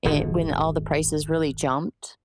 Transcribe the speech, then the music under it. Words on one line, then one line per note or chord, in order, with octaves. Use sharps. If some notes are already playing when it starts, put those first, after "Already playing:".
an when all the prices really jumped
D#1 G#1 G#2 D3